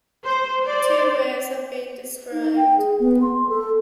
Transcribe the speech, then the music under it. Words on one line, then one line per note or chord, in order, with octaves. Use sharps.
Two ways have been described.
C5
C5 D5
D#4
G5
G#4
B3
C6
A4